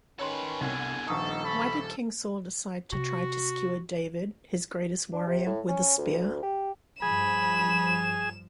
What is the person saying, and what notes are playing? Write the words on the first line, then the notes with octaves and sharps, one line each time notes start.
Why did King Saul decide try to skewer David-his greatest warrior-with a spear?
D#3 C#4 A4 B4 C#5 C6
C2 B2 D3 G#5
D#1 A#1 B3 D#4 A4 C#6 D#6
B5 C#6
C3 F#4
D4
C3
A2
C#4
D2
G4
G2 F3 G#4 B5 E7